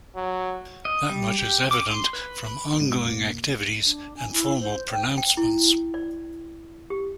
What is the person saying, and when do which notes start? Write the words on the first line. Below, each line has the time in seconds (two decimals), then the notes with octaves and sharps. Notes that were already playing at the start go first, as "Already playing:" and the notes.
That much is evident from ongoing activities and formal pronouncements.
0.15 F#3
0.85 D#5
1.10 G3
1.39 G4
1.71 D6
1.90 C6
2.13 B4
2.47 B5
2.80 G#2 G#3
3.03 F2 B2 A#3
3.85 D4
4.16 G#5
4.32 E4
4.60 C5
4.91 G5
5.18 G5
5.37 E4
5.94 D5
6.90 G4